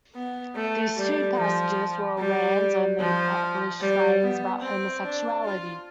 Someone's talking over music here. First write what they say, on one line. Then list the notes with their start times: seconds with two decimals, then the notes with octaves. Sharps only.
These two passages were Rand's only published writings about homosexuality.
0.15 B3
0.56 A3
0.96 G3
1.37 F3
2.19 G3
3.00 F3
3.81 G3
4.21 B3
4.62 C4
5.03 D4
5.44 F4